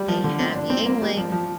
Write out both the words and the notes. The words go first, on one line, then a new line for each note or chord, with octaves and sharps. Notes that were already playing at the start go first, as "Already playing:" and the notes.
They have Yuengling.
Already playing: G3
F3
D3
C4
D4
C4
A#3
G3
F3
F3